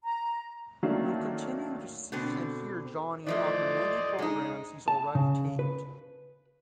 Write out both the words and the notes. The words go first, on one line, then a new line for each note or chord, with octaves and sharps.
You'll continue to see and hear Johnny on the many programs he's already taped.
A#5
D#3 F#3 A3 A#3 C#4 D4
B2 D3 C4
E3 F3 A3 C5 D5 D#5
G#3 D#4
A5
C#3
B4